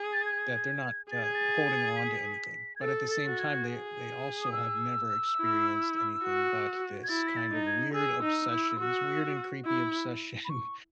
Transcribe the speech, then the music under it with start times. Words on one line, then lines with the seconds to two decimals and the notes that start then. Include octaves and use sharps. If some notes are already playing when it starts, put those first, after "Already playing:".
That they're not, uh, holding on to anything, but at the same time they they also have never experienced anything but this kind of weird obsession, this weird and creepy obsession
Already playing: G#4
0.13 A6
0.25 G#6
1.11 G#4 A6
1.23 G#6
1.35 A6
1.96 B6
2.76 G#6
2.81 A4 A6
3.11 A6
3.24 F#4
3.39 G#6
3.67 G#4
4.42 D#6
4.52 E6
5.38 E4
6.24 F#4
7.04 G#6
7.09 E4 A6
7.28 B6
7.37 A6
7.52 D#4
7.66 G#6
7.93 G#4 E6
8.22 D#4
8.50 E4
8.79 F#4
9.65 E4
10.45 B5
10.50 C#6